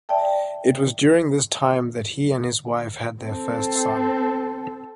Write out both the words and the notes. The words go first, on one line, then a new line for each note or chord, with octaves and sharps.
It was during this time that he and his wife had their first son.
D5 E5 G5 A5
C4 A4